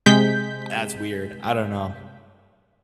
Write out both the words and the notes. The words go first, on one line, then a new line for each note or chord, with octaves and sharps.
that's weird. I don't know.
C3 G#3 G6 B6